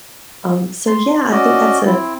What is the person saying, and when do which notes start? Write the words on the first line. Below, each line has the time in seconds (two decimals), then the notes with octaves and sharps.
Um, so yeah, I think that's a
0.87 C6
1.31 C#4 F#4 D5 D#5
1.86 C4 E4